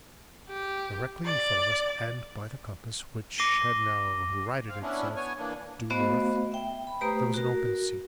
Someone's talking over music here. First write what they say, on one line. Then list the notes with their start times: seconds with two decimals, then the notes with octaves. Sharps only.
Directly in front of us, and by the compass, which had now righted itself, due north, there was an open sea.
0.49 G4
1.25 D5
3.38 D6 A#6 C7 D#7 G7
4.69 C4 F5
4.82 B3 C#4 D4 E4
5.16 B3 C#5 G#5
5.39 E3 A#3 D4
5.90 A3 B3 F#4 C5 D#5 F5
6.52 E5 G5
6.87 B5
7.01 A3 G4 B4 C5 A#5 D#6
7.34 F#4 A#4